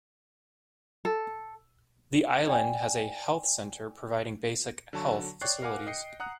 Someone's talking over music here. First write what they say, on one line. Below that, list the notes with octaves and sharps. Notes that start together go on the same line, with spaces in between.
The island has a health center providing basic health facilities.
A4
D5 G5 G#5
D3 F#3 A5 C#6
C#5 D5 G5 C#6 F#6 C7
A#4 F5 F#5 G#5 D6
D#5 G5 C7 C#7
F#5 A#5 D#6 F#6